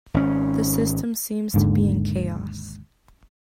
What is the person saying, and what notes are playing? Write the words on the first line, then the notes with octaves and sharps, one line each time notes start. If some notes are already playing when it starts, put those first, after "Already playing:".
The system seems to be in chaos.
G#1 C#4
G#1 D#2 G#2 D3